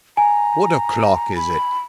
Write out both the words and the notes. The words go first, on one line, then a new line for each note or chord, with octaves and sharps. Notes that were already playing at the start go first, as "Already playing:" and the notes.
"What o'clock is it?"
G#5 A#5
B5